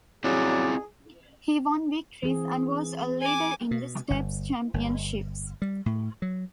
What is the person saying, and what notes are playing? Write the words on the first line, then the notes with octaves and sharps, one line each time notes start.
He won victories and was a leader in the steps championships.
F#3 C4 E4 F4 G#4 D5
E3 C4 G#4
G#5 D6
B2
G1
G1
G3
A2
F#3